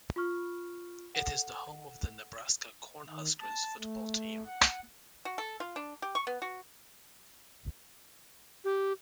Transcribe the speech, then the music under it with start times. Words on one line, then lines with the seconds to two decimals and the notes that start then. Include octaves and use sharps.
It is the home of the Nebraska Cornhuskers football team.
0.16 F4 B5 C#6 F6
1.15 A4 F#5
3.07 D#3
3.39 A5
3.77 A3
4.45 F#5
5.25 F#4
5.38 A4
5.60 F4
5.76 D4
6.02 G4
6.15 C#6
6.27 B3
6.42 F#4
8.64 G4